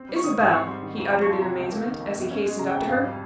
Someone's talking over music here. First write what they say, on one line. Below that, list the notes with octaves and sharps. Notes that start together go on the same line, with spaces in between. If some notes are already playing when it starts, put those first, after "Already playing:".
"Isabel!" he uttered in amazement, as he hastened up to her.
Already playing: C4
G3
C#6
D#3 D#6
G#2 D#6
C4 C#6
G3 C6
D#3
F2
C4 A#5
F3 C#6
C6
C3 A#5
C#2
A#3
D#3
F2
G1
C#4
G#3
C#3 A#5
G5
F2
G5
G#1 F5
G3